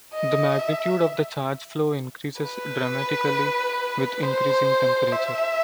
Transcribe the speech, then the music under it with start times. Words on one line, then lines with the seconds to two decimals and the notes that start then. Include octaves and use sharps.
The magnitude of the charge flow increases dramatically with increasing temperature.
0.14 D#5
0.59 E5
2.41 B4
4.22 C5
5.13 E5